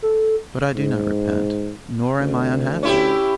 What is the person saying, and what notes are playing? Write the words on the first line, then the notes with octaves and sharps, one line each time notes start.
But I do not repent, nor am I unhappy.
A4
G#2
D2
C#4 E4 G4